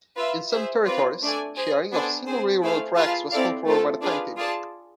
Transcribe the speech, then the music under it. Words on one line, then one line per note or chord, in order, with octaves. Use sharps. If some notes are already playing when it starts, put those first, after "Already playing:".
In some territories, sharing of single railroad tracks was controlled by the timetable.
F4 B4 E5
G#4 C5 E5
C4 F4 B4 D5
A3 D4 A4 D5 G#5
G#4 C5 G#5
B3 D4 A4 C5 G#5
C4 G#4 C5
A3 E4 G#4 C5 F5
F4 G#4 B4 F5 A5
C4 E4 A4 D5 F5
A3 C4 F4 A4
D4 F4 G#4 B4 F5
F4 G#4 D5 A5